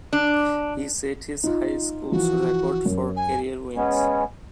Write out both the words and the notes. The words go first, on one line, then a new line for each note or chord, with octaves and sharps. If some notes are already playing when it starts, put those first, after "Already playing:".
He set his high school's record for career wins.
D4
D#4 F4
E3 F3 F#4
F#2
G#5
G#3 B3 C#4